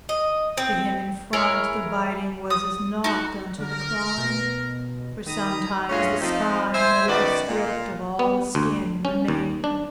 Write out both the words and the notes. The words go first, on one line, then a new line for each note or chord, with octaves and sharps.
To him in front the biting was as naught Unto the clawing, for sometimes the spine Utterly stripped of all the skin remained.
D#5
C4
E4 G#4 A#4 C#5
D#6
D#4 F#4
D3 A#4
B2
D#3 A#5 B5 D#6
G2 A3 C#4 F4 F#4 G#4
F3 C4 D#4
C5 E5 G#5
F#2 D#3 B3 F#4 D5
A#2 F4
B3
D2
C#4
D#2
D4